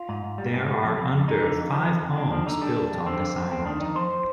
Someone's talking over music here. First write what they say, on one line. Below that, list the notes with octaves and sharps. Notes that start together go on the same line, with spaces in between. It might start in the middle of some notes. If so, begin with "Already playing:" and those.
There are under five homes built on this island.
Already playing: F4
G#2
G#2
G3
G#2
G3
F2
F2
F2
G#3 D#4
D3
F2
F3
F2
F2
G#3 D4
F3 D4
D3 D#4
G3 D4
G3
F2
D3 C4
F2
F2
F2 C4
D#3 D4
F2 D#4
F2 C5